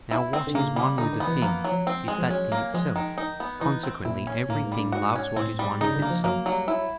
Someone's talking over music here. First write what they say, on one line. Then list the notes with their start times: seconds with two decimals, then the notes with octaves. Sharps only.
Now what is one with a thing, is that thing itself: consequently every thing loves what is one with itself.
0.11 E4
0.33 C4
0.47 D3
0.55 C#3 A#3
0.76 G3
0.98 D3 D#4
1.13 D#3
1.20 B3
1.28 E3
1.42 F3 A#3
1.64 F#3
1.72 F3
1.87 C4
2.08 G#3
2.18 F3
2.30 F#3 C#4
2.52 A#3
2.74 F3 G#3
2.96 D#3
3.18 D#4
3.40 B3
3.61 E3 D#4
3.83 C4
4.05 A#2 E4
4.27 C#4
4.49 A2 A#3
4.64 G#2
4.72 G3
4.79 G2
4.92 G#2 F#4
5.15 C#4
5.36 A2 C4
5.59 G3
5.81 C#3 D#4
5.95 D3
6.02 A#3
6.10 F3
6.24 F#3 A#3
6.46 F#3 G3
6.68 E4